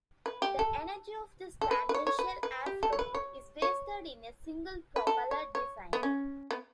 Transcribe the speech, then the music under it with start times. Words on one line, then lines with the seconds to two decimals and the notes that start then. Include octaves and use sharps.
The energy of this tangential air flow is wasted in a single-propeller design.
0.26 B4
0.42 G4
0.59 A4
1.61 A4
1.71 B4
1.89 B4
1.94 C#5
2.07 C#5
2.19 B4
2.43 B4
2.66 G4
2.83 A4
2.93 C#5
2.99 B4
3.15 C#5
3.62 C#5
4.96 B4
5.07 A4
5.31 C#5
5.55 C#5
5.93 B3
6.03 C#4
6.51 B3